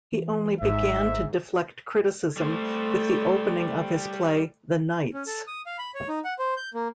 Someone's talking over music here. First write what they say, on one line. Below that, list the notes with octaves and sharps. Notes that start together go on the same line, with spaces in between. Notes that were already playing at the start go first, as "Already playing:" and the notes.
He only began to deflect criticism with the opening of his play, "The Knights".
E3
G#1 G#2 E5
G3 A3 C5
C#4
A4
D#6
F5
B5
C#5
D#4
F#5
C5
G6
A#3